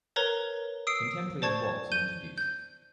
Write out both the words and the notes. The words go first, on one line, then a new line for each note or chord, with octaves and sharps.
Contemporary and waltz are introduced.
A#4 B4 C#5 A#5 G7
D#6 E6 C7 D7
C5 D5 A5 C#6 G#6
G6 D#7 G7
G6